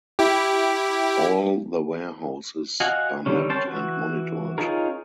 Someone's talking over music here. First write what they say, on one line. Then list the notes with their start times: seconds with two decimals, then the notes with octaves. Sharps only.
All the warehouses were mapped and monitored.
0.19 E4 G4
2.80 F#4 D#5 F5 F#5 G#5
3.26 D3 D#3 G3 C#4
3.49 C#4 A#4 C5 G5 A5
3.66 E3 F#4
4.58 C#4 D#4 F4 G#4 A#4